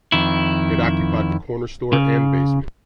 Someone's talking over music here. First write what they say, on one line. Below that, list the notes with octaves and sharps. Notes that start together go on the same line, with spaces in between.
It occupied the corner store and basement.
F2 D#3 E4
C#3